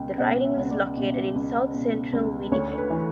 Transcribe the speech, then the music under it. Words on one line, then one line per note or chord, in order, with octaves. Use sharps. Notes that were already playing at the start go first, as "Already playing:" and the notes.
The riding was located in south-central Winnipeg.
Already playing: C#2 B2 G5
B2 F#5
E5
C#2
D5
B2
C#2
B2
C#2
D2 C#5
B4
E3